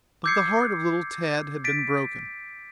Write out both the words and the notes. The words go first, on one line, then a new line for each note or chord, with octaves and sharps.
But the heart of little Tad had been broken.
D6 E6 G6 G#6 C7 C#7
A6 B6 D7